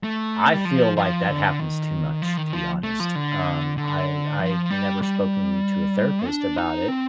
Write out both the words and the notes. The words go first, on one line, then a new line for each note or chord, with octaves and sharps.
I feel like that happens too much, to be honest, um, I I've never spoken to a therapist about it
A3
G3
F3
F3
D3
D#3
F3
D#3
F3
A3
F3
D3
D3
F3
G3
G3
D4
D#4
C4